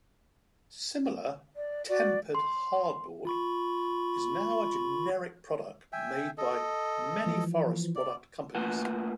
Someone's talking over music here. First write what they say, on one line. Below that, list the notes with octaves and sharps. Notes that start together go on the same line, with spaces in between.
Similar "tempered hardboard" is now a generic product made by many forest product companies.
D5
F#4 D5
C6
F4 B5 C#6
E5 G5 G#5
A4 D#5
E3 F3
D5
A3 A#3 F4 B4 F#5